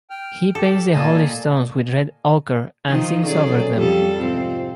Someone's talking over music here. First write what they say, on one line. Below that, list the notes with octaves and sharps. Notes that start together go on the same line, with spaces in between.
He paints the holy stones with red ochre and sings over them.
G5 F6
G4 A4
A#2 D#5 G#5 A5
D#3 F3 D#4
B2 F#3 C#4 G#4 A4 D5
F2 F3 G3 G4 A4
G#2 C3 C4 F4